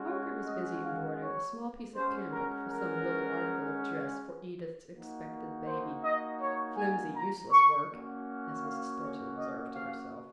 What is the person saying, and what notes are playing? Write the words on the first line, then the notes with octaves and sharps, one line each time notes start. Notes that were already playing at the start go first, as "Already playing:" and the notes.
Margaret was busy embroidering a small piece of cambric for some little article of dress for Edith's expected baby--'Flimsy, useless work,' as Mrs. Thornton observed to herself.
Already playing: G#3 C#4 F#4
C#5
D#5
F5
C#5
G#3 C#4 F#4 C5
A#4
A#4
A#3 D#4 F#4
C5
D#5
C#5
G#5
A#5
C#6
A#3 C#4 F#4
F5
C#5
D#5
F5